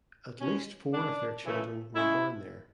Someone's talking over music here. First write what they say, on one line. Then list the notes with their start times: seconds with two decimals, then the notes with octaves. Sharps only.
At least four of their children were born there.
0.40 B2 G#3 C#4
0.93 C#3 G#3 D4
1.43 F#2 C#3 E3 A3
1.95 C#3 G#3 E4